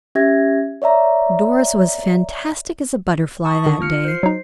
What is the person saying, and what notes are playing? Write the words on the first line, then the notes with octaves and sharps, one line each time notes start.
Doris was fantastic as a butterfly that day.
C#4 G4 E5 G#6 A#6
C#5 D5 E5 A#5
A5 C#6 D#6
D#3
F4 F6 C#7
C5 C7
F#3 D#4